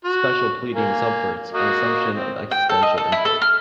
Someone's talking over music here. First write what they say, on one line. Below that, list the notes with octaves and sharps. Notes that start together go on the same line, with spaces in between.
Special pleading subverts an assumption of existential import.
F#4
A#3 G#5
A#3 F#4 D#5
C4
G5
A4
D#5
A4
E4
A4
F6